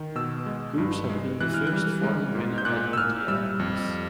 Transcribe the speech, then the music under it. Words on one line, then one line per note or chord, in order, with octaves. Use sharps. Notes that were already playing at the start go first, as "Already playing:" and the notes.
Gouz had been the first foreign winner at Indianapolis.
Already playing: D#3
B2 E6
G#3
G2
G#3
E3 F#6
F6
F#6
G3
G#3
G#2
G6
A#2 F#6
E6
A#2 F6
G3 E6
F2